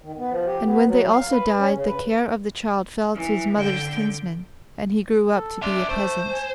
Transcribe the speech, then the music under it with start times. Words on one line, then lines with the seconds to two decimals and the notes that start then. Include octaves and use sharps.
And when they also died, the care of the child fell to his mother's kinsmen, and he grew up to be a peasant.
0.02 D#3
0.17 B3
0.30 F3
0.46 G4
0.64 B3
0.86 F#3
1.12 F5
1.32 B4
1.59 C#4
1.74 C#3
1.87 B4
3.15 E3
3.56 D3 G5
5.34 A4
5.62 D4 E5 C6
5.89 A3 C5
6.31 G#5